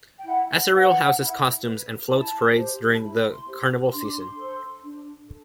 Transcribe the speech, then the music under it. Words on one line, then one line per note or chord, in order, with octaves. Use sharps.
Acireale houses costumes and floats parades during the carnival season.
G5
E4 F#5
B4 F#5
E4
B4
E4 A5
G4 C5
A5
E4 B5
C6
G4 C5
D4 C6
D6
C6
A4 C5
D4
A4